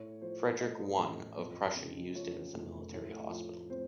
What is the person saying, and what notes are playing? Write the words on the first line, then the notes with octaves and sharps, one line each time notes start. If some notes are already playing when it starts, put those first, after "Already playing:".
Frederic I of Prussia used it as a military hospital.
Already playing: A2 C#5
F3 C5
A3 D#5
A1
F2
C#3
F3 C#5
F1
A2
F3
C4 C5